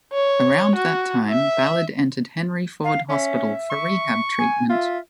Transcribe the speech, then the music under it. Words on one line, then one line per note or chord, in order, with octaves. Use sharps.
Around that time, Ballard entered Henry Ford Hospital for rehab treatment.
C#5
F#4
E5
F5
C#4 E5
C#6
G#5
F4 E5